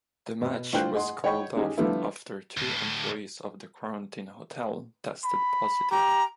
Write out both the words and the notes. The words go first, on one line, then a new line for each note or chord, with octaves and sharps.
The match was called off after two employees of the quarantine hotel tested positive.
B2
C2 D3 F4 C5 G5 F#6
G#4 D#5 F#5 C6
C#5 D#5 F#5 G5 B5 C#6
D#3 G#3 C#4 G4
D3 F3 G3 A3 B3 E4
D2 A2
B5
G4 A#5